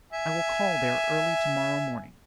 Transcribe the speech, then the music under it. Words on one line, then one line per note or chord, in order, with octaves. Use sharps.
I will call there early to-morrow morning.'
E5 G#5